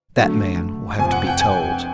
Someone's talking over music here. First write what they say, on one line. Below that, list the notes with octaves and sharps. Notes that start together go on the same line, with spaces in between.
That man will have to be told!
D3 F#3 A3
F2 C3 F3 G#5
F#5
G5
G#5